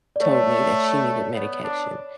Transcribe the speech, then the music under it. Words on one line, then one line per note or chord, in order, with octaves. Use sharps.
told me that she needed medication,
D5
A3 C#5
B3
D4